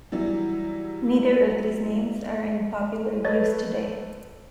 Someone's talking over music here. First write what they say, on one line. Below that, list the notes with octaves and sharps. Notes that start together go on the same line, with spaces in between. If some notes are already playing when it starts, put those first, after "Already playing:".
Neither of these names are in popular use today.
E3 F#3 G3 E4
A3 A4 B4 C#5 D#5 A6